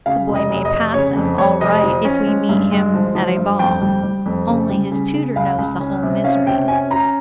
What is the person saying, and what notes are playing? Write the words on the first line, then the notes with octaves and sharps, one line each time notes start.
The boy may pass as all right if we meet him at a ball; only his tutor knows the whole misery.
C#3 F5
F1
D#5
F1
D#5
F1
C#3 C#5
F2
F2 C#5
F1 D#5
F3
C#4
G#3
G2
G#3
F3
F3
G2
F2 G5
G3
G3
F2
C#3
G3
C#3
C#3
C#2 F5
C#2
C#4
C3
C#4 F5
C3 G5
C#4 G#5
C#4 A#5